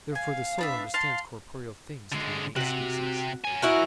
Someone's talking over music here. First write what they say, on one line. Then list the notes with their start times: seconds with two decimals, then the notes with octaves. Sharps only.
Therefore the soul understands corporeal things through innate species.
0.15 F5 G#5
0.59 B3 D4 E5
0.94 F5 A5 C6
2.12 D3 G#3
2.56 C3 F#4 F#5
3.45 F#3 G#5
3.62 E4 F#4 A#4